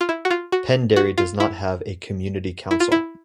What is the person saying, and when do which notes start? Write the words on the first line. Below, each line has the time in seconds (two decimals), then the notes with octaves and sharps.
Penderry does not have a community council.
0.01 F4
0.09 E4
0.25 F#4
0.31 F4
0.52 F#4
0.96 F#4
1.18 F4
1.40 E4
2.71 E4
2.80 F4
2.92 E4